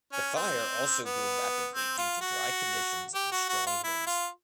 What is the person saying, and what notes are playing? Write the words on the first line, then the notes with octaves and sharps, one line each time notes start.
The fire also grew rapidly due to dry conditions and strong winds.
C#4
C4
B3
C4
F4
F#4
G4
F#4
F#4
F4
E4
F4